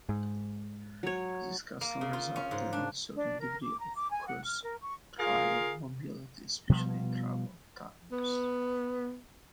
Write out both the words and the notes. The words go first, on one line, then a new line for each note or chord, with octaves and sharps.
This custom resulted in a certain degree of cross-tribal mobility, especially in troubled times.
G#2
F#3 C#5
A#3
C#3
F4
C#4
G#2
D4
D4
A#4
D6
A#5
D6
G#5
F#5
F6
A#4
C#6
F4 G#4 A#4 F5
B2 F3 G3 B3
B3